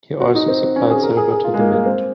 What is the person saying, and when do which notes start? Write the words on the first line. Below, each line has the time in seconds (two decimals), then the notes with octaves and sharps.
He also supplied silver to the mint.
0.20 F#4
0.35 D#4
0.48 C4
0.62 C4
0.76 C#4
0.90 G#4
1.03 A#4
1.17 G#4
1.30 G#4
1.44 F4
1.54 G#3
1.59 A#3
1.73 A#3
1.86 C4